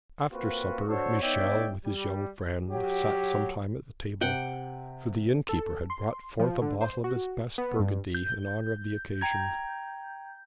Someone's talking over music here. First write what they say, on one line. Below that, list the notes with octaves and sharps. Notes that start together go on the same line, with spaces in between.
After supper Michel with his young friend sat some time at the table, for the innkeeper had brought forth a bottle of his best Burgundy in honour of the occasion.
A#3 C4 F4 F#4 B4
D4 F#4 A4 C5 C#5
B3 D#4 C#5 D5 E5 G5
G3
F#3 G4
C3 G4 F#5 G5
A4
C6
F3
D3
C5
F#4
B3
G2
G6
G5 A#5 G#6